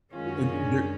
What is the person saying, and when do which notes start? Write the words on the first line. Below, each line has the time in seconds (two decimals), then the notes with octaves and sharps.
and there
0.13 F#2 D#3 G#3 C#4 F4
0.26 F#4
0.39 F4
0.52 D4
0.65 D4